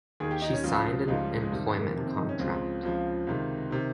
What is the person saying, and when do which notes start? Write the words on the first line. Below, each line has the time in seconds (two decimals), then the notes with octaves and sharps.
She signed an employment contract.
0.20 D#2 D#3 G#4
0.31 G4
0.42 D#4
0.53 C#4
0.64 C#2 C#3 F3 F4
1.08 C#2 C#3 F3 D#4
1.19 G3
1.29 G#3
1.41 G#3
1.51 F2 C3 D#3 G3
1.66 G#3
1.81 A#3
1.95 F2 C3 D#3 A#3
2.06 C4
2.17 D#4
2.29 C#4
2.39 C#2 C#3 F3 C4
2.83 C#2 C#3 F3
3.27 C#2 C3 D#3
3.71 C3 D#3